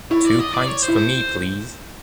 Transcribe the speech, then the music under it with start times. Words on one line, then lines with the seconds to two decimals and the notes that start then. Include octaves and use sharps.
Two pints for me please.
0.11 E4 C#5
0.25 D5
0.39 D#5
0.54 D5
0.68 C#5
0.82 C5
0.88 E4